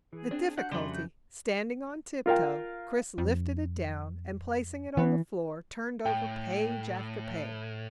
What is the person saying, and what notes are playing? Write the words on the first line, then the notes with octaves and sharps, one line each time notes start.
With difficulty, standing on tiptoe, Chris lifted it down, and placing it on the floor, turned over page after page.
E3 G#4
C4 D4
F#4 F#5 G6
F2 C#3 G3 A3 F#4 C6
G6
F4 A#4 F5 G5
F2
E3 B3
A2 G5